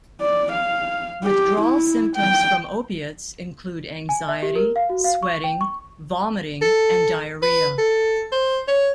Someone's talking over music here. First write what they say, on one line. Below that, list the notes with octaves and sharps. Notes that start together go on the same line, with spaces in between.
Withdrawal symptoms from opiates include anxiety, sweating, vomiting, and diarrhea.
D5
F5
G4
E4
G5
G#5
E5
G4
A#4
F5
F#4
F5
C#6
G5
C#6
A4
B4
A4
C5
C#5